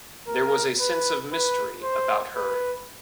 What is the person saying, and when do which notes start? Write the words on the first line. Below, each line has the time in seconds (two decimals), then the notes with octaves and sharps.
There was a sense of mystery about her.
0.27 A#4
0.80 B4
1.32 B4
1.83 C5
2.36 B4